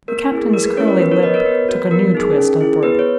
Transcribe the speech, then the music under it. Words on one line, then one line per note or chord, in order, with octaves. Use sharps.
The captain's curly lip took a new twist upward.
A#3 A#4
E4 G#4
A#3 A#4
B4
C#4 E4 A#4 C#5
A#4
B3 B4
A#4 C#5
F#4 B4 D#5
A#4 C#5
B3 B4
F#4
B3 A#4
D#4 G#4
C#4
E4 G#4
B3 B4
C#5